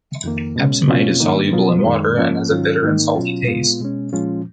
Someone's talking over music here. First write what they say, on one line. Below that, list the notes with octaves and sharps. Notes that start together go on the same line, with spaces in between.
Epsomite is soluble in water and has a bitter and salty taste.
F2 D#3 A#3
B2 G#3 C#4
B2 A#3 C#4 F4
G#2 D#3 A#3
B2 F#3 B3 F4
F#2 D#3 G#3
G#2 F3 A#3 C#4
G#2 D#3 F#3 C#4 F4
G#2 D#3 A#3 D#4
B2 F#3 C#4 F4
A#2 G#3 B3 F4
B2 G#3 C#4
A#2 F3 G#3 C#4 F4